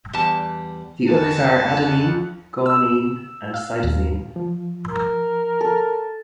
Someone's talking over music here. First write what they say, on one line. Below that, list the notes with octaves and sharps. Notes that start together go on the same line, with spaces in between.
The others are adenine, guanine, and cytosine.
E2 G3 A5
F2 F#5 G#5 A5
E6
F5
D#2
F3
A#4
A4